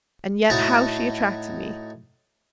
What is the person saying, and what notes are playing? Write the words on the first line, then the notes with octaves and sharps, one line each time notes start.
And yet how she attracted me!
A2 D#4 F#4 A5 A#5